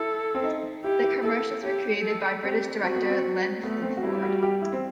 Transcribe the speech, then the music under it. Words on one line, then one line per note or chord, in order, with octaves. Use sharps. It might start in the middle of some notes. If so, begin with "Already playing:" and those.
The commercials were created by British director, Len Fulford.
Already playing: E4 A4
C4
D#4
E4 G4
E4
E4 A4
E4 G4
A4
C4 G4
C4 F#4
B3
C4
C4
A3 B3
C4
F#4
G3 E4
E4
F#4
G4
E4
C4